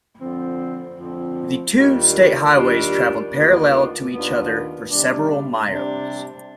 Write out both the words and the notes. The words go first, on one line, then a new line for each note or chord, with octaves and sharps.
The two state highways traveled parallel to each other for several miles.
F2 D3 F3 C4
F2 D3 F3 C4
D#2 D#3 G3 D4 F4
D#2 D#3 G3 D4 F4
D#2 D#3 B3 D4 F4
D#2 D#3 B3 D4 F4
C3 G3 D4
C3 G3 D4